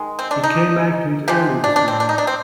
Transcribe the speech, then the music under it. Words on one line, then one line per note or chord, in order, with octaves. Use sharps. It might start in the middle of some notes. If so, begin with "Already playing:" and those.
He came back to it early this morning.
Already playing: D#3 G#3
C4
D4
D#4
C3 F3 G#3 G4
D4
D4
C4
D4
D#4
D4
C4